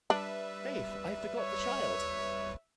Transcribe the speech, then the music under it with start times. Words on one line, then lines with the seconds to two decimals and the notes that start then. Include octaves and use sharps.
Faith, I forgot the child!
0.10 G3 D4 B4 E5
1.38 C#5